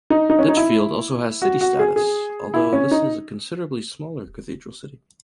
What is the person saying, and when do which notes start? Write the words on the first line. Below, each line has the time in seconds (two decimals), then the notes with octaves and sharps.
Lichfield also has city status, although this is a considerably smaller cathedral city.
0.10 D#4
0.30 D#4
0.39 C#4
0.48 D#4
0.57 E4
1.42 F#4
1.61 F#4
1.79 G#4
1.96 G#4
2.54 E4
2.73 C#4
2.91 D#4